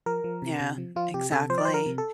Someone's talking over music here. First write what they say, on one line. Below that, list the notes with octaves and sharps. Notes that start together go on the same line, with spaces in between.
Yeah, exactly.
F3 A#4
F3
C3
C3
F3
F3 F4
C3 G4
C3 A4
F3 C5
D5
C5
F3
A#4
C3
A4